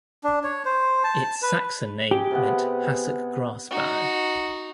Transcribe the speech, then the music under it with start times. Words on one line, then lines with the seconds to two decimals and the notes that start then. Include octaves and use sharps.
Its Saxon name meant hassock grass barrow.
0.24 D4
0.44 C#5
0.65 C5
1.04 A5
1.42 B4
2.11 G4 G#4
2.31 C3 B3 F#5
3.71 D#4 F#4